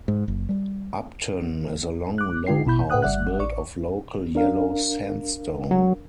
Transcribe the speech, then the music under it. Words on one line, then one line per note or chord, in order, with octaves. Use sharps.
Upton is a long low house built of local yellow sandstone.
G#2
F#1
G3
D6 F#6
D3 G#3 F4 G5 C7
A1 B2 E4 B5 G6
A2 B4 F#5 G5 D#6 F#6
G1 G3 D5 E5 F#5 F#6
A1 D5 C#6
D4 A#4 F5
F#3